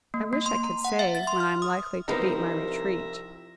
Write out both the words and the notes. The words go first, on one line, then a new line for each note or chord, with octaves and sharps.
I wish I could say when I am likely to beat my retreat.
A#3
A#3
C6
A#5
F#5
E5
A6
C6
F6
D#6
C2 F3 B3 D#4 A#4 B4 E5 A#5